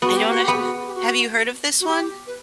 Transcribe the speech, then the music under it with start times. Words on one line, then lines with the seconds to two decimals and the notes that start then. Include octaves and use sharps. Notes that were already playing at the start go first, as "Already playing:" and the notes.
I don't know if you've have you heard of this one?
0.02 B3 F#4
0.17 G4
0.30 F#4
0.44 B3 G4
0.58 F#4
0.87 G4
0.95 F#4
1.81 F#4
1.87 G4
2.27 B4